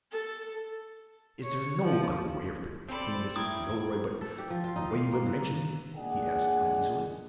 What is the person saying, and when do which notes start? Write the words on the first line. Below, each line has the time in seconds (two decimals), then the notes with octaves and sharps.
"Is there no other way of protecting Miss Milroy but the way you have mentioned?" he asked, uneasily.
0.12 A4
1.43 C#5
1.82 F3
2.89 C4 A4 C5 D5 B5
3.36 A2 E4 A#4 G5 D#6 G#6
4.21 A4
4.38 G4
4.50 F3
4.64 F4
4.76 D#4
4.91 F5
5.12 A#3
5.26 E3
5.95 A#2 G#3 D4 G#4 F#5